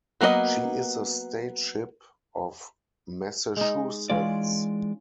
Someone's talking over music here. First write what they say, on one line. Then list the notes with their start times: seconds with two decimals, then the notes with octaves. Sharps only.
She is the State Ship of Massachusetts.
0.21 F#3 A#3 B3 G#4 D#5
3.57 G#3 D#4
4.10 E3 G#3 C#4 F4 D5